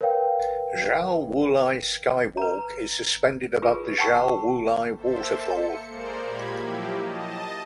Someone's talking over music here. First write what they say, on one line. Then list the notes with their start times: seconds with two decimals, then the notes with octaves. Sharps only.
Xiao Wulai Skywalk is suspended above the Xiao Wulai Waterfall.
0.01 A#4 B4 C#5 F5 G5
2.37 B4 A#5
3.62 F4 G4 G#4 A#4 B4
3.98 F#5 G5 A5 B5 C#6 E6
4.94 A#3 A4 C5 E5
5.48 C#7
5.87 G#3 A#3 A#4 C5 D5
6.21 A#2 A#3 G4 B5 G#6
6.58 F3 F#3 A#3 E4 G4
6.95 D#5 A5